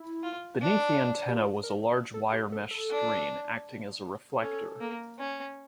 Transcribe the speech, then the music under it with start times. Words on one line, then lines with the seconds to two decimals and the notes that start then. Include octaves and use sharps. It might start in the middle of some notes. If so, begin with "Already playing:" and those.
Beneath the antenna was a large wire mesh screen acting as a reflector.
Already playing: E4
0.23 F4
0.62 D4
1.28 G4
1.37 F4
1.63 A#4
2.14 A4
2.33 G4
2.52 A4
2.71 A4
2.90 D4
4.42 C#4 A4
4.80 A#3
5.19 C#4